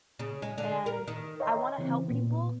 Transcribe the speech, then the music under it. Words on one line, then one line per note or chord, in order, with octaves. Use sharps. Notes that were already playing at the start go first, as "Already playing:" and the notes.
and I wanna help people,
C#3
G#3
D3
A#4
D#3
C#5 D#5 E5 G5 A#5 C6
C#3 E3 C4
A#2 B3